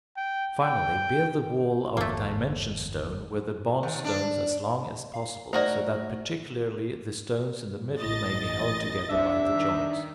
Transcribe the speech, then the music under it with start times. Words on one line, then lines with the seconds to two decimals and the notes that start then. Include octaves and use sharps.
Finally, build the wall of dimension stone, with the bond stones as long as possible, so that particularly the stones in the middle may be held together by the joints.
0.17 G5
0.61 G5
1.97 G1 E2 A3 A#3
3.83 D#2
4.04 D4
5.14 F5
5.53 A3 D#4 F#4 A#4 C5 D5
7.98 A1 D#5 A6
9.10 C2 C3 D4 E5
9.52 D#3